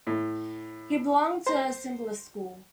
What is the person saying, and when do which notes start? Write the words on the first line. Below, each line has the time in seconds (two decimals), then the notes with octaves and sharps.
He belonged to the Symbolist school.
0.07 A2
1.46 C5